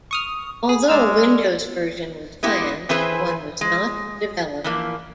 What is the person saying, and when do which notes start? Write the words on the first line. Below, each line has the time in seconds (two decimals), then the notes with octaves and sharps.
Although a Windows version was planned, one was not developed.
0.11 C#6 D#6 F6
0.69 G#4
0.88 G#3 D5 E6 F6
2.43 G#3 B3 E4 G4
2.89 E3 C4 E4 G#4 B4 C5
3.61 G#3
4.64 E3 F3 A#3